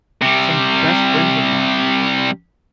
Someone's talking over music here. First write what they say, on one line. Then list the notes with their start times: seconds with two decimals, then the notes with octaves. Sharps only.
some best friends of mine,
0.22 C3 G3